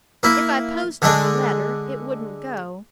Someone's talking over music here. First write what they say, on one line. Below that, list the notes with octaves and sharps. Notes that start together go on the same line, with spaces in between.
If I posted the letter, it wouldn't go.
A#3 E4
D3 G#3 D4